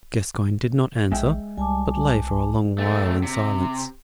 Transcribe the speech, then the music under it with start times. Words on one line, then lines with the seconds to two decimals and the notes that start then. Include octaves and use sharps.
Gascoyne did not answer, but lay for a long while in silence.
1.12 A#1 G#3 E5 G5
1.58 C2 G3 G#5 A5 D6
2.78 A3 C4
3.23 C3